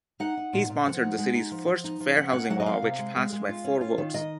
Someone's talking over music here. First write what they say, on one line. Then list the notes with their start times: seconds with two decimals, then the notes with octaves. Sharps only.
He sponsored the city's first fair housing law, which passed by four votes.
0.20 D#4 F#5
0.37 D#4
0.53 A#2
0.69 A#2
0.86 F3 F#5
1.02 D#4
1.18 G#3
1.35 D#4
1.51 F3
1.68 F3
1.84 D#4
2.00 F3
2.17 C#4 F#5
2.33 A#3 F#5
2.50 F#3 F#5
2.60 D#5
2.66 A#3 F5
2.82 C3
2.99 G#3
3.16 G#3
3.32 G#3
3.49 F4
3.64 C#4
3.81 F4
3.98 D#3
4.14 D#3 D#5